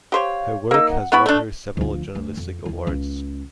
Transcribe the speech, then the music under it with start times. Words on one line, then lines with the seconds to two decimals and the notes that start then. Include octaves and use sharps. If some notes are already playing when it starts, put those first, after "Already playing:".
Her work has won her several journalistic awards.
0.12 G4 C5 C#5 F5
0.71 A#3 D#4 E6
0.90 F#5
1.12 B3 E4 B5 C#6
1.26 A3 D4 D5
1.77 D2 F3
2.15 D2
2.37 F2
2.66 E2 E3
2.87 C#2